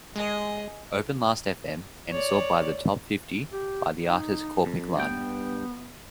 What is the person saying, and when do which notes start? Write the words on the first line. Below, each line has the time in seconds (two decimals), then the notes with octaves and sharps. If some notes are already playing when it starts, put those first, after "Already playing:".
Open Lastfm and sort by the top-fifty by the artist Korpiklaani.
0.16 G#3 G#4 D#5
2.12 C#5 D5
3.52 G4
4.03 D#4
4.66 F2
4.96 G2 B3 G5